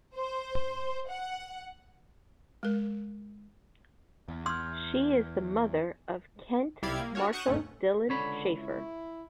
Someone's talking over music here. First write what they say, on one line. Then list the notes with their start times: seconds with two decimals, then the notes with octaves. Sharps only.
She is the mother of Kent Marshall Dylan Schaffer.
0.15 C5
1.08 F#5
2.63 G#3 A#4
4.28 E2
4.46 C6 E6 F6 G6 G#6
6.82 C2 E4 G4 D5 F5 G#6
7.00 A#3
7.15 D4 F#4 A#4 C#5
7.33 F#5 C#6 D#6 F#6 G6
7.46 G1 D#2 G#2 A3 C#4
8.09 C#2 D3 C#5 B5
8.58 E4